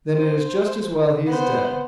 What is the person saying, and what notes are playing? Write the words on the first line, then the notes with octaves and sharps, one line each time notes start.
"Then it is just as well he is dead."
C5
B3 C5